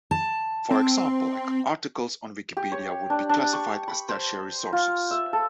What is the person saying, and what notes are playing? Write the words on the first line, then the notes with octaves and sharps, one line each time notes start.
For example, articles on Wikipedia would be classified as tertiary sources.
A5
C4
G4
C#5
D4
D4
C#6
B5
C5
F4
E5
A4